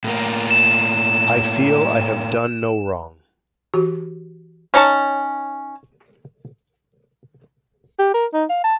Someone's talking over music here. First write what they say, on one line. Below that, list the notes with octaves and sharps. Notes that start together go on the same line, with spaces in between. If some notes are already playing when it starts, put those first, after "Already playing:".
I feel I have done no wrong.
A2 A#3
E7
E3 F#4 G4
C#4 D#4 C#5 A5
G4
A#4
D#4
F5
A5